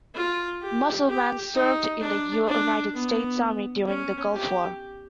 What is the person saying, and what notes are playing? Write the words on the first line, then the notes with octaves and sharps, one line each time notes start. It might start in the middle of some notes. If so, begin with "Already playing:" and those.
Musselman served in the United States Army during the Gulf War.
F4
G4
G4
D#4
D4
D4
B3
C#4
G4